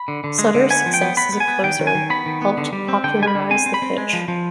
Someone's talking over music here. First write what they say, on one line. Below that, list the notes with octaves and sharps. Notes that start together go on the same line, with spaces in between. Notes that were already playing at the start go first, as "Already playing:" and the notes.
Sutter's success as a closer helped popularize the pitch.
Already playing: B5
D3
D3
G#3
D3
B3 G#5
F3
G5
B3
B3 B5
B3
G#5
B3
D#3 G5
D#3
G#5
D#3
B3 B5
D#3
B3
D3
G3
C4
D3 G5
G3 G#5
B5
D3
C4 G#5
C4
B5
C4
G#3
F3
F3